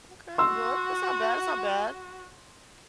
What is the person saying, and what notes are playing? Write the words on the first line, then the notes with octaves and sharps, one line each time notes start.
Okay, a book, that's not bad, that's not bad.
F#4 C6 E6